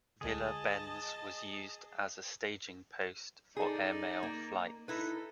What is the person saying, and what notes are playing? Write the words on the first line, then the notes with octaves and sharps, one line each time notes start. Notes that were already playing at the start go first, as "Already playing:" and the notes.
Villa Bens was used as a staging post for airmail flights.
C#2 D3 G#4 D#5 A5
D#4 G#4 A4 D5
A#3
D#4 E4 A4 B4